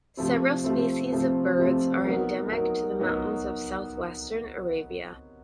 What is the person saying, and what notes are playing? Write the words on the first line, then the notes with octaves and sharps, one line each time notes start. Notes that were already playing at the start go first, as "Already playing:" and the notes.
Several species of birds are endemic to the mountains of southwestern Arabia.
C3 F3 A3 C4
C3 F3 A3 C4
C3 F3 A3 C4
C3 F3 A3 C4
F#3 B3 D#4 F#4 A#4
F#3 B3 D#4 F#4 A#4
F#3 B3 D#4 F#4 A#4